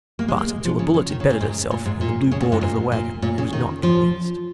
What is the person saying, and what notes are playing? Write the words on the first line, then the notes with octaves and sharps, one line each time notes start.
But until a bullet embedded itself in the blue board of the wagon he was not convinced.
A#3
G#3
A#3
G#3
F3
C#3
C#3
D#3
C#3
A#2
G#2
A#2
G#2
A#2
C#3
A#2
G#2
A#2
A#2
A#2
C#3
D#3
F3